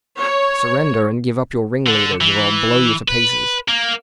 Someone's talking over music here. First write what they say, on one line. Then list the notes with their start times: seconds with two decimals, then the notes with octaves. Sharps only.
"Surrender, and give up your ringleaders, or I'll blow you to pieces!"
0.18 C#5
1.87 D3
2.21 E3
3.09 B4
3.68 A#3